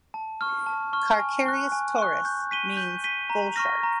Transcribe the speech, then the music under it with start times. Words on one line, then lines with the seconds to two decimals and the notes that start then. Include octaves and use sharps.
"Carcharias taurus" means "bull shark".
0.14 A5
0.41 C#6 F6
0.66 A5
0.93 C#6 F6
1.19 G#5
1.46 C#6 F#6
1.72 G#5
1.98 C#6 F#6
2.25 G6
2.51 B6 D#7 G7
2.77 G6
3.04 B6 D#7 G7
3.30 A#5
3.56 C#6 F6 A#6
3.83 A#5